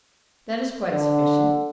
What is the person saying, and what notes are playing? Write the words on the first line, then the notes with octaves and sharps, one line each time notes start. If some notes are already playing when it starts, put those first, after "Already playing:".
'That is quite sufficient.
D3